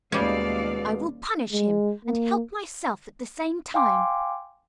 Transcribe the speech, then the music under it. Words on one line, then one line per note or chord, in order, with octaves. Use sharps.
I will punish him and help myself at the same time.
D#2 B2 G3 G#3 C#4 D5 F5
G#3
A#3
F5 G5 G#5 C6 D6